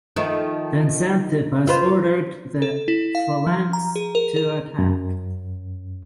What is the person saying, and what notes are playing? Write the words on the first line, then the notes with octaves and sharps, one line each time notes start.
Then Xanthippus ordered the phalanx to attack.
D#3 F3 A3
F4 B4 C5
A4
E4
F5
F3
A#5
G#4
A#4
A#4
F#2